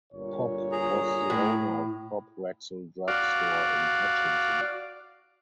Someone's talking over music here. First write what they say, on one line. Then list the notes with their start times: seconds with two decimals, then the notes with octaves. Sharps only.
Popp was the owner of Popp Rexall Drug Store in Hutchinson.
0.13 G1 A#2 C#5
0.72 G#4 A#5
1.30 A2
3.08 F#4 D5 F5